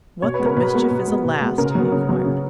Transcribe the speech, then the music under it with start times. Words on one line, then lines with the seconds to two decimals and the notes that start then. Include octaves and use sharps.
"What the mischief is a last?" he inquired.
0.22 B2 C#5
0.34 B4
0.40 G#3 B3
0.46 A#4
0.56 B2 B4
0.74 G#3 B3
0.91 B2
1.07 G#3 B3
1.25 B2
1.41 G#3 B3
1.58 C#3 A#4
1.75 F#3 B3
1.92 C#3
2.09 F#3 B3
2.25 C#3